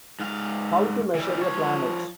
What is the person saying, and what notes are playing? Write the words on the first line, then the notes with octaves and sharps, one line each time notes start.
How to Measure a Planet?
G#2 F5
E3 G3
F3 C#5